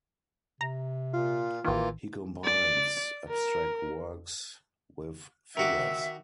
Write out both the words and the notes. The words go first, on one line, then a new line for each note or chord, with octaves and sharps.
He combines abstract works with figures.
C3 A#5
A#2 F4
A1 D#3 E3 A#3 F4
D5
A#4
D#3 F#4 E5 D6